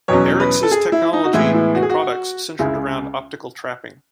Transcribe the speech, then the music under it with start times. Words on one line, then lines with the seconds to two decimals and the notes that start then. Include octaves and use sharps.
Arryx's technology and products centered around optical trapping.
0.08 E2 B2 F#3 C#4 C#5
0.40 B4
0.63 A4
0.71 G#4
0.92 E4
1.13 D#4
1.24 F#4
1.33 A2 E3 G#3 B3 E4
1.55 E4
1.75 F#4
1.83 G#4
1.90 F#4
2.59 C#2 C#3 G#3 E4